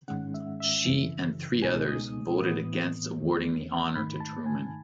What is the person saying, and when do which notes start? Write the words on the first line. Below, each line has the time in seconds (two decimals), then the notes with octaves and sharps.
She and three others voted against awarding the honour to Truman.
0.08 G#2 D#3 G#3 C#4 F#5
0.34 E5
0.60 E5
0.85 F#2 C#3 E3
1.62 C#2 B2 G#3 B3 D#4 G#5
1.88 D#6
2.40 A2 E3 B3 D#6
3.18 E2 D#3 A3
3.95 G#2 D#3 A3 D#4 B5
4.20 A5
4.46 G#5